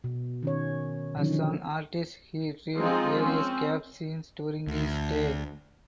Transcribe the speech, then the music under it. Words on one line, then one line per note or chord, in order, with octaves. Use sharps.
As an artist he drew various Cape scenes during his stay.
B2
D#3 C#4 C#5
D3 D#3 F3 F#3 C#4 D#4
F3 G#3 C4 D#4 F4
C4 C#4
D2